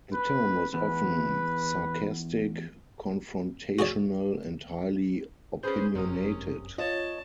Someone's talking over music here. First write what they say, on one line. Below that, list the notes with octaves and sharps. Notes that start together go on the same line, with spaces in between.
The tone was often sarcastic, confrontational and highly opinionated.
B4
E2 B4
F#4 G#4 C#5 D5
C#4 G#4 B4 C5 G6
G1 F#2 C3 C#4 A#4 D#6
F4 C#5 D#5 A5